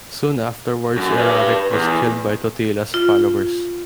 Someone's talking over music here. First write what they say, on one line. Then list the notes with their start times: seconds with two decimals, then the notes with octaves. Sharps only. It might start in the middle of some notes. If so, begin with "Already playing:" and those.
Soon afterwards Eraric was killed by Totila's followers.
0.97 F#2
1.18 B4 D5
1.72 E2
2.94 F4